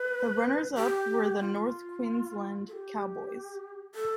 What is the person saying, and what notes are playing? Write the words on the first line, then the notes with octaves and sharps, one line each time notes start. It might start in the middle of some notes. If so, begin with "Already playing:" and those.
The runners up were the North Queensland Cowboys.
Already playing: B4
G4
F4
A4
G4
A4